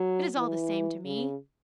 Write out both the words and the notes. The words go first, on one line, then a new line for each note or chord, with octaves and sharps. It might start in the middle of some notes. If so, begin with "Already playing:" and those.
It is all the same to me.
Already playing: F#3
E3
C#3